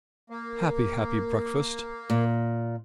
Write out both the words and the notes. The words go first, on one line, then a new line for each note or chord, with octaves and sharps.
Happy, happy breakfast!
A#3
A#2